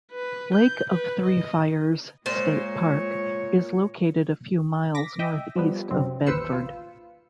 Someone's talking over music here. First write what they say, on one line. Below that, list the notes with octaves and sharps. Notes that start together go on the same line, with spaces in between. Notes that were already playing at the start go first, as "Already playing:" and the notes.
Lake of Three Fires State Park is located a few miles northeast of Bedford.
B4
G6
B4
D#5
A#2 G#3 C5 C#5
D6 A#6 B6
D#5 E5 G5
F3 G3 B3
F#2 C3 F#3 C4
A1 D#2 B4 C5 E6 C#7
F4